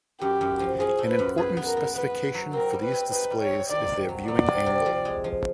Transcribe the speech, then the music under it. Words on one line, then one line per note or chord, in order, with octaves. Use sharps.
An important specification for these displays is their viewing-angle.
F#2 G4
F#2
F3
F3 G#4
A3
B4
F#2
G#4 B4
B3
A#4
B3
B3 B4
B3
F#3
C4 A#4
G3
B4
C4
D#4 B4
G3
C#5
C4
D#3 D5
C3
F#3
F#3 D5
C3
C3
F3
G#3
F3